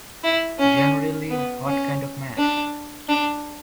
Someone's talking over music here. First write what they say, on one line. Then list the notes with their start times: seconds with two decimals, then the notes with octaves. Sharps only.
Generally, what kind of man?
0.24 E4
0.59 C#4
1.30 B3
1.66 C#4
2.38 D4
3.09 D4